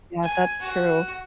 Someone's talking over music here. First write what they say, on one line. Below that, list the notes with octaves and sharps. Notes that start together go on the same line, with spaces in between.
Yeah, that's true.
G#5
F#4